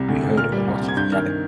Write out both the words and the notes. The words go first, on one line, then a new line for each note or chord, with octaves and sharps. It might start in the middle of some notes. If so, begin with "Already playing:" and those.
We heard a lot of yelling.
Already playing: C2 C3 G3
D2
D2
A#2 F6
G3
C2
C4
G#6
G2 G6
D#3 F6